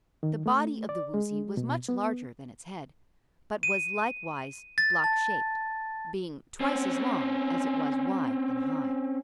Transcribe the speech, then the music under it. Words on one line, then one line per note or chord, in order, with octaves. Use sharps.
The body of the Woozy was much larger than its head, but was likewise block-shaped--being twice as long as it was wide and high.
D#3
A3
D5
G#3
B2
B3
D#7
A6
A5
C4 C#4